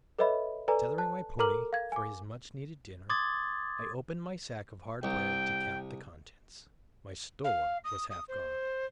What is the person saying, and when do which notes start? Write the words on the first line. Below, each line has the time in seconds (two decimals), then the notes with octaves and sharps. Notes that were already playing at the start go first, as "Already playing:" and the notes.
Tethering my pony for his much-needed dinner, I opened my sack of hard bread to count the contents; my store was half gone.
0.19 A4 B4 C#5 D#5 E5 B5
0.68 A4 B4 D5 G#5 A#5
0.98 A5 F#6
1.39 A4 A#4 A#5 D6 F6 F#7
1.73 F5 G#6
1.92 G#5 D6
3.09 C6 D6 D#6 G#6 A6
5.03 C2 G5
7.44 F5
7.84 D#6
8.10 D#6
8.28 C5